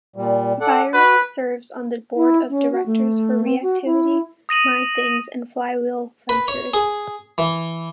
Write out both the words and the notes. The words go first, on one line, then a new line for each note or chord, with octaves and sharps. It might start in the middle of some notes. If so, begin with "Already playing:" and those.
Byers serves on the Board of Directors for Reactivity, MyThings, and Flywheel Ventures.
A#2 G3
A4 D5 F#5
F#4 B4
E4
C#4
F#4
A3
C4
F#4
E4
D#6 A#6 D#7 F#7
B4
C#5
G#4
E3